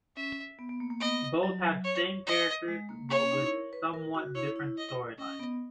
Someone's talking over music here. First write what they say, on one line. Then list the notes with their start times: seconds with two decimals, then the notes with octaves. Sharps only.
Both have same characters, but with somewhat different storylines.
0.16 C#4 E5
0.59 B3
0.69 B3
0.80 A#3
0.90 A#3
1.00 B3 D#5
1.43 F#3
1.84 C#5
2.26 D#5
2.68 G#3
2.89 A#3
3.09 A#3 C#5
3.20 C#4
3.31 D#4
3.41 E4
3.51 A#4
3.73 B4
3.94 A#4
4.15 F#4
4.35 E4 C#5
4.56 E4
4.78 D#5
5.18 C#4 D#5
5.39 B3